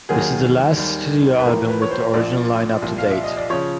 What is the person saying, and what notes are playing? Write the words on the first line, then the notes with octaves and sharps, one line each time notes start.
This is the last studio album with the original lineup to date.
D#2 D#3 F#3 A#3 G#4
D#2 D#3 G3
B4
A1 A2 F3 A#3 A#4
B4
C#5
C5
A#1 A#2 F3 D5
C2 A#2 F3
F5
E5
D#5
D5
C#3 F3 C#5